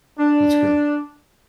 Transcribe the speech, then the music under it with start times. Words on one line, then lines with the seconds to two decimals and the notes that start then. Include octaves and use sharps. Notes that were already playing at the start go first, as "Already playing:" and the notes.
That's good.
0.19 D4